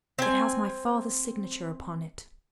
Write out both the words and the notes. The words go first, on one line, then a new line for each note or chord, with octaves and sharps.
"It has my father's signature upon it."
C4 G#5